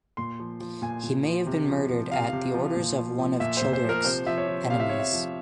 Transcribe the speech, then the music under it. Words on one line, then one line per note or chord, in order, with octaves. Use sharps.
He may have been murdered at the orders of one of Childeric's enemies.
A#2 C6
F3
F3
A#2 G#5
A#2
F3
C3
F3
F3
C3 F5
C3
F3
A#2
F3
F3
A#2 E5
A#2 C5
C5
F3
A#4
C3 C5
F3 E5
C#5
F3
C3 F5
E5
C3 C#5
E5
F3